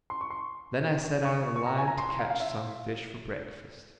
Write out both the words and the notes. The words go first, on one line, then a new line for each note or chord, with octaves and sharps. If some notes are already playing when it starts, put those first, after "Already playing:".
Then I set out a line to catch some fish for breakfast.
C6
C#6
C6
C#6
C#6
A#5
G#5
A#5
C6
C6
F5
F5
E5